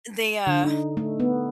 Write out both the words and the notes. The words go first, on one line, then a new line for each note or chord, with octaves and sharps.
they, uh
D3
D#4
A3
B3